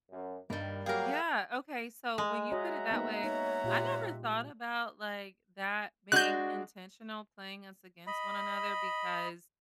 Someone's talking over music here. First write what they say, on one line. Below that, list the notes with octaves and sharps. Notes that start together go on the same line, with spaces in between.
Yeah, okay. So when you put it that way, I never thought about, like, that being intentional playing us against one another because,
F#2
G2 D#3 G3 A#3
F#3 G3 A#3 G4 G#4 A#4 F5 G5
G#3
F#4 C#5 D#5 E5 F#5 A#5
A#3 B3 D#4
D#4 C#5
A#2 F4 G4
G#3 D4 F#4 F#6 G6
D#5 B5